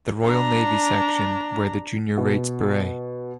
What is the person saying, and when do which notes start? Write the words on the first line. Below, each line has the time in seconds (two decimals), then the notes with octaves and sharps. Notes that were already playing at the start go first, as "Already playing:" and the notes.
The Royal Navy Section wear the junior rates beret.
0.24 D4 A#5
2.17 B2